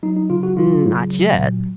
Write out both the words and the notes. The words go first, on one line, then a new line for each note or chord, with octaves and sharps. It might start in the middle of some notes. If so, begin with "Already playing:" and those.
"Not yet."
F#3 D#4
D#4
C#3 F4
F#4
F#3 F4
C#3
F#3
A#2